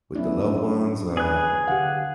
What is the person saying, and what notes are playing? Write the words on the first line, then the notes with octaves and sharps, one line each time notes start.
with the loved ones, um
F#3 B3 C#4 D4 E4
G#4 B4 F#6
D3 G4 F5 F#5